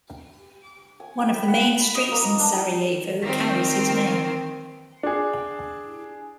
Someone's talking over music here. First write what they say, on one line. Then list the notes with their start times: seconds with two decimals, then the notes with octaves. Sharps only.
One of the main streets in Sarajevo carries his name.
1.00 G#5
1.18 G5
1.35 B5
1.48 F#5
1.62 B4
1.77 B5
1.95 D#5
2.11 A#3
2.24 D#5
2.39 D4
3.22 D#3 A#3 C4
5.03 D4 G#4